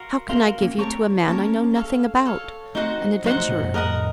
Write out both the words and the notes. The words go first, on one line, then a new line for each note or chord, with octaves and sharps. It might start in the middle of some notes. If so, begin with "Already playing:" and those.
How can I give you to a man I know nothing about,--an adventurer?
Already playing: F#4 A#4 F5 C6
A3 C4 F#4 A#4 F5 C6
A#3 C#4
A3 C4 A#4 C#5 A5 C#6
A#3 C#4 A#4 C#5 A5 C#6
A4 C#5 F5
A4 C#5 F5
A3 C4 D#4 F#4 C5 F#5
F#3 A#3 D#4 F#4 C5 F#5
F3 A3
A2 C3
F#2 A#2
F2 A2 A#4 D#5 F#5 A#5